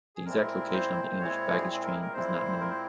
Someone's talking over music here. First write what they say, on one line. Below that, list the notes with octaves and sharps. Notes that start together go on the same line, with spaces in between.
The exact location of the English baggage train is not known.
G#4
A#2 G#3 C4 E4 A#4
C5
A#2 G#3 C4 E4 C#5
G#4
G#4
A#4
A#4
A#2 G#3 C4 E4 C5
A#4
C5